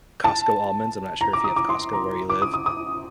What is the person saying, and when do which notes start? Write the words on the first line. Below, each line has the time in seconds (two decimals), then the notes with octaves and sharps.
Costco almonds, I'm not sure if you have Costco where you live,
0.24 A5
1.21 A#5
1.33 D6
1.44 D#6
1.56 D6
1.69 C6
1.93 A#5
2.30 D6
2.42 D#6
2.54 D#6
2.66 D#6